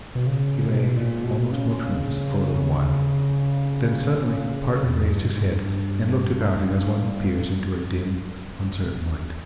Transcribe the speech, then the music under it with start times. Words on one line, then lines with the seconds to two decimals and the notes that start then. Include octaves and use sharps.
He lay almost motionless for a little while, then suddenly partly raised his head and looked about him as one who peers into a dim uncertain light.
0.15 B2
0.27 C#3
0.68 B2
0.96 A#2
1.24 B2
1.52 C#3
4.85 E2
5.13 G2
5.36 G#2
5.41 G2